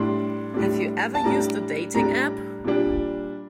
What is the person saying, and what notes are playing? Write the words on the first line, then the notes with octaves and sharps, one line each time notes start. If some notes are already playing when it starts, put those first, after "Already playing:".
Have you ever used a dating app?
Already playing: A2 G3 D4 C6
A2 G3 D4
A5
A2 G3 D4 A#5
A2 G3 D4 A#5
A#2 G3 D4